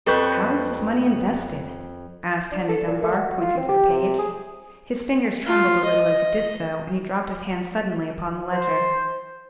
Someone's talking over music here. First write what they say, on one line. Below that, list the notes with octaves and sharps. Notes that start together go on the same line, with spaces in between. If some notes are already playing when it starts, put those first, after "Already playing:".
"How is this money invested?" asked Henry Dunbar, pointing to the page. His fingers trembled a little as he did so, and he dropped his hand suddenly upon the ledger.
F2 A4 B4 C#6 G6
D4
A4
A#2
A3
F#4
F4
C4
G4
C3
G#4
F4
D#5
C5